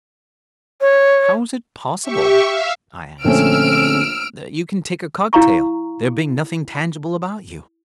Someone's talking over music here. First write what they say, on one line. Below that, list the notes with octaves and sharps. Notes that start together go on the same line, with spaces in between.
"How is it possible," I asked, "that you can take a cocktail, there being nothing tangible about you?"
C#5
G4 E5 C#6
E5 F5
A#1 D3 A3 C4 C#4 E6 F6 D7
E4 F5 A#5 C#6